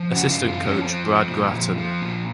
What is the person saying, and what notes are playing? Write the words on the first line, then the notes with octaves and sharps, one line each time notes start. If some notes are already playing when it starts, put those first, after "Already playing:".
Assistant coach Brad Gratton.
Already playing: F3
C#3 F#4
F4
F#2
F4
F3
C#4
F3 C4
F3
A#2
F3
F3
A#2